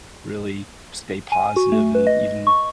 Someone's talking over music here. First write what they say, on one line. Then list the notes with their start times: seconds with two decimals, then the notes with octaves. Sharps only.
really stay positive and even,
1.32 G#5
1.56 F#4
1.72 A3
1.95 B4
2.07 D#5
2.47 C#6